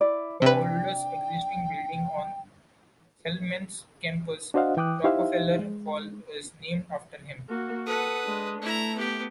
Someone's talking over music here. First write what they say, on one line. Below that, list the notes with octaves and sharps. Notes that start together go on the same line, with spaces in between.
The oldest existing building on Spelman's campus, Rockefeller Hall, is named after him.
E4 D5
C3 D4 B4 G5
D4 F#4 C5 D#5 F5 F#5
E3 G5 D6 D#6 F#6
D#4 E4 G4 C5 E5 F5
G#3
A#3 F#4
A4 B4 F#5 D#6
G#3 D4
A3 E4 A#5
B3 G4